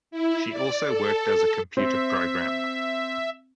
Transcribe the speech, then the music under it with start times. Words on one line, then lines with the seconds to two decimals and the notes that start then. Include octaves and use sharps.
She also worked as a computer programmer.
0.11 E4
0.50 D5
0.84 A4
1.77 C4 E5